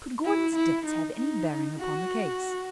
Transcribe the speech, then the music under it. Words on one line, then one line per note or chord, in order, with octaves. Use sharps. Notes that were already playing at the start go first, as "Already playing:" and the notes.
Could Gordon's debts have any bearing upon the case?
E4
E4
D#4
D#4
F#4